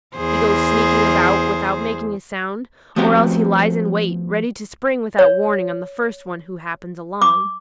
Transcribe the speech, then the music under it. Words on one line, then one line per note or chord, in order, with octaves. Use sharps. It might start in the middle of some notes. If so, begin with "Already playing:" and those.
He goes sneaking about, without making a sound, or else he lies in wait, ready to spring without warning on the first one who happens along.
E2 G#4 C5
F3 A3 B3 C4 F#4 G4
C#5
D6